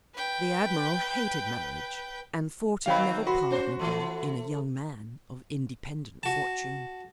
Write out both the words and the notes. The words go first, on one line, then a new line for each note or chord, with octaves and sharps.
The Admiral hated marriage, and thought it never pardonable in a young man of independent fortune.
B4 G5
D#3 F#3 C4 F5 G5 B5
F#4 B5 C6
C#4 C5
E3 A3
F#4 A5